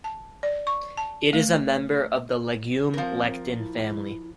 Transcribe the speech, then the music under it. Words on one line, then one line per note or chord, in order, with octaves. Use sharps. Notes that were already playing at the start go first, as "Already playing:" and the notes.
It is a member of the legume lectin family.
A5
D5
C#6
A5
A3
F3 C4 A#4
E4